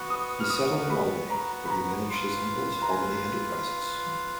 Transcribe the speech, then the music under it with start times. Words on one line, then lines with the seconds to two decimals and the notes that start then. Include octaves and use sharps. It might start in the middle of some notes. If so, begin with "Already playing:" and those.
He settled in Albany, where he managed his uncle's Albany enterprises.
Already playing: B3 F#4 B4 F#5
0.10 D#6
0.40 F6
0.50 D#6
0.90 B5
1.30 A#5
1.66 B5
1.70 A#5
2.10 F4 B4 F5
2.82 A#5
2.90 G#5